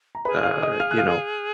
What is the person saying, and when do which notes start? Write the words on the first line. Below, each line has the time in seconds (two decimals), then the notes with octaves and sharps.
uh, you know,
0.15 A#5
0.25 G#4 B4 B5
0.44 F5 F6
0.62 D#5 D#6
0.80 F5 F6
0.91 F#6
0.98 F5 F6